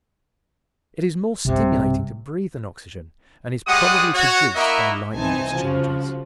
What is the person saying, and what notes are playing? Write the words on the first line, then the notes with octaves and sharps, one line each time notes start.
It is more stimulating to breathe than oxygen and is probably produced by lightning discharges.
B1 G2 C3
G3 G#3 F#4 F#5 D#6
F#4 C#5
A#3 E4 F#4 A#4 D#5 E5
C2 E3 C4 D#4 G#5 A5
C#3 F3 F#4